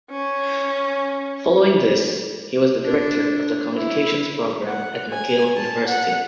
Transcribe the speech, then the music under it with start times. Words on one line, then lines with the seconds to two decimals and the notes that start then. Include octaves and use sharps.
Following this, he was the director of the communications program at Mcgill University.
0.10 C#4
2.83 D4
3.74 E4
4.66 F#5
5.11 G#5
5.56 A5
5.87 F#5